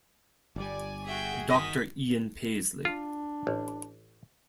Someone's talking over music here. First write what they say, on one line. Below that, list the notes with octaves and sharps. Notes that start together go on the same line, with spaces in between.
Doctor Ian Paisley.
G1 G3 D5 G#5
F#4 G#4 E5 G5
D#3 D#5 B6
D4 F4
A1